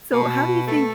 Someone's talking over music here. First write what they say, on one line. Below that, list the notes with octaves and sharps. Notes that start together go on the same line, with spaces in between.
So how do you think
B2
A3